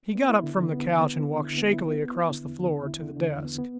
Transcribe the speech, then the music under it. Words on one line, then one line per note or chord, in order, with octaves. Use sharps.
He got up from the couch and walked shakily across the floor to the desk.
B3
E4
D3
D3
B3
D3
B3
D3
D3
E4
B3
E4
B3
B3
E4
D3
E2
D3
D3
E4
D3
D3
E2
B3
B3